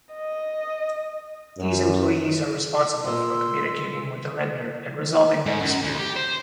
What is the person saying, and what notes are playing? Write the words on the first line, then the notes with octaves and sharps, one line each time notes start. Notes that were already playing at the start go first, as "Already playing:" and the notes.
These employees are responsible for communicating with the lender and resolving the dispute.
D#5
F#2
A#2 G#3 C6 E6
G#2
F#2
D2
G4
C5